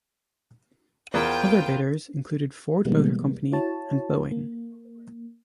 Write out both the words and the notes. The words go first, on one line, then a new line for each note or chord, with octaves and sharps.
Other bidders included Ford Motor Company and Boeing.
E2 F4 A#4 C5 G5
B2 E3 G3 G#3 A#3 B3
E4 F#4 C#5 A5
A#3